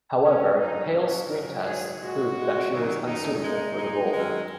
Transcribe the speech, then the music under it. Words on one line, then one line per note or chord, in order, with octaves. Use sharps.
However, Hale's screen tests proved that she was unsuitable for the role.
A#2 G#3 C#4
F#2 F#3 D#4
A#2 F#3 C#4
F#2 C#3 F#3 A#4
G#2 F#3 G#4
A#2 G#3 F#4
A#2 G#3
F#2 D#3 F#3
F#2 D#3 F#3 D#4
G#2 G#3 D#4
A#2 G#3 D#4
F#2 D#3 G#3